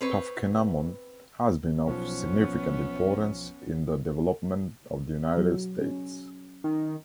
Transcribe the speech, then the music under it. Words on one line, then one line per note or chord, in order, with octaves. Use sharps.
Toughkenamon has been of significant importance in the development of the United States.
C4 B4 C#5
B1 F3 B3 C#4
F#3
C#4
D#3